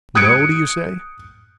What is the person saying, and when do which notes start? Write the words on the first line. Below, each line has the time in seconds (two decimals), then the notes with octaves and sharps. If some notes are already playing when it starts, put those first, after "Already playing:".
No, do you say?
0.15 D#6 F#6 G#6 C#7 D7